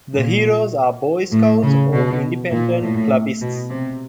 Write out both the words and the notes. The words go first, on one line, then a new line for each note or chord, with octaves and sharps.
The heroes are boy scouts or independent clubbists.
A#2
A2
C#3
B2
A#2
A2
B2
C3